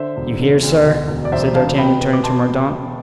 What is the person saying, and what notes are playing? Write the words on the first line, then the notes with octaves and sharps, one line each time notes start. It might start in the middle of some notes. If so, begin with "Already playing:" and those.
"You hear, sir," said D'Artagnan, turning to Mordaunt.
Already playing: D3 C5 E5
E1
D3
D2
D2
E1
D5
E1 C5 E5
D3 F5 A5
B2 G5 B5
B3
D6
B2 A5 C6